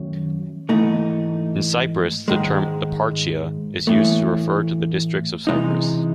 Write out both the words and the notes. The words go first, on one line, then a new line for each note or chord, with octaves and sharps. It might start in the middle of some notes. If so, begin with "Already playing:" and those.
In Cyprus, the term "eparchia" is used to refer to the Districts of Cyprus.
Already playing: F#2 D#3 F#3 A3
G#2 E3 A3 D#4
G#2 D#3 G#3
A2 E3 A3
C3 E3 G#3 D#4